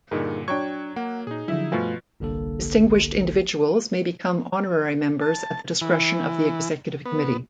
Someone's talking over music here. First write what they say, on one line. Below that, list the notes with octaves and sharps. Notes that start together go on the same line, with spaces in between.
Distinguished individuals may become honorary members at the discretion of the Executive Committee.
G2 A#2 D3 D#4 G#4 A#4
F#3 D4 G5 C#6 G#6
A#3 F#5
A#2 D#4 G#4
D3 F3 F#3 E4
G2 B2 F3 A3 F4 G#5
G1 C2 D3 A#3 A4
A5
E3
B3